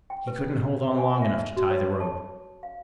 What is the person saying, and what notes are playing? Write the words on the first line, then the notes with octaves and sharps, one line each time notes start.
He couldn't hold on long enough to tie the rope....
G5
B4
G#5
E5
F#4
C#5
A5
F5